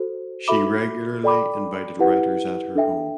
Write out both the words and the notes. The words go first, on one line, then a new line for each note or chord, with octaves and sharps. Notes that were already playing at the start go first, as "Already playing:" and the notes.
She regularly invited writers at her home.
Already playing: F#4 A4 C5
F#4 A4 E5 B5 D6
A4 D5 G5 B5 D6
E4 G4 B4 F#5
D4 A4 E5 G5